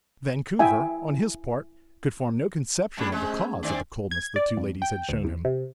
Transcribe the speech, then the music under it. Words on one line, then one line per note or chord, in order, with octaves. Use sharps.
Vancouver on his part could form no conception of the cause of the coldness the two ladies had shown him.
E4 E5 G5 G#5
A2 G3 A3 C#4 D4 G#4
C3 G#3
D#3 C4 D4 D5 G#5
G#6
D5
F2
G5
D2
E2
C3